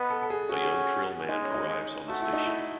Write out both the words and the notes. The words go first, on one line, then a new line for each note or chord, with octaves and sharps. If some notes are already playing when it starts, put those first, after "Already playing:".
A young Trill man arrives on the station.
Already playing: B3 B4 D#5
A4
A4
G#4
C#4 F#4
G#4
F#4
G#3 D#4
C#4
D#4
A3 F#4
E4
D#4
E4